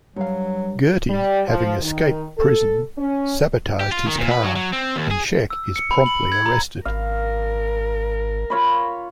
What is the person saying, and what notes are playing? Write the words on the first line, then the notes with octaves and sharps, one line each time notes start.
Gertie, having escaped prison, sabotaged his car, and Scheck is promptly arrested.
G2 F#3 F5
G3
F3
D#3
A4
C#4
G4
F4
D#3
A#2
B4
F#3
F#3
C4
D#2
G#4
E6
C#7
B5
F#7
G#6
A#5
G#1 A#4 F5
F4 C#5 B5